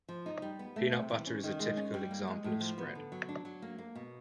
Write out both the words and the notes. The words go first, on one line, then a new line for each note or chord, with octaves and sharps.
Peanut butter is a typical example of spread.
F3
D#4
G3
B3
A3
C3
E3
C#4
D#3
G#3
C#4
G3
A#3
G#3
A2
F3
B3
D3
F#3
D4
F#3
A#3
A#3
B2